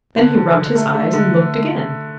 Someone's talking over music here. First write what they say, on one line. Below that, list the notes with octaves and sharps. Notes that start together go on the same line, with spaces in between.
Then he rubbed his eyes and looked again.
D3
D3
D3
A3
A3
D3